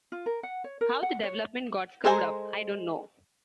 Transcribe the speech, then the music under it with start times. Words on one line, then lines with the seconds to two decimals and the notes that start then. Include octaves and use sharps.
How the development got screwed up, I don't know.
0.12 F4
0.26 A#4
0.43 F#5
0.64 C#5
0.81 A#4
1.03 F#5
1.23 C#5
2.05 G#3 A4 C5 G#5 A#5